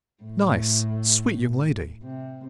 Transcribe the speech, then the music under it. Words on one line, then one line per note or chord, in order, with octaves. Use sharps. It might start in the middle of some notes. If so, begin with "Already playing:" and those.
"Nice, sweet young lady."
A2
C3